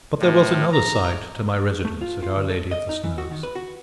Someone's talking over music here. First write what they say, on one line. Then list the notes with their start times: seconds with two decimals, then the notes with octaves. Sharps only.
But there was another side to my residence at Our Lady of the Snows.
0.19 A2
0.72 A#5
1.85 A3
2.01 F4
2.23 F4
2.36 D2
2.50 A4
2.71 D#5
2.89 D#4
3.04 E3
3.18 F#4
3.31 D#3
3.43 B4
3.55 F#4